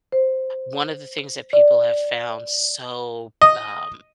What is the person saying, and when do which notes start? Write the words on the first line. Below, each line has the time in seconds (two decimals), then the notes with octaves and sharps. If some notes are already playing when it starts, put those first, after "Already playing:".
One of the things that people have found so, um,
0.12 C5
1.53 D5
3.42 D#5